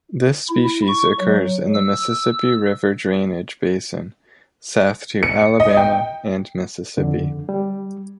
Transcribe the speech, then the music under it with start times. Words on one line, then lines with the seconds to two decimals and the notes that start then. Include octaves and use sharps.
This species occurs in the Mississippi River drainage basin south to Alabama and Mississippi.
0.49 E4
0.87 C#6
1.20 F#3
1.74 E6
5.23 C#7
5.60 D#5
5.77 G5
6.98 F2 D3
7.49 G3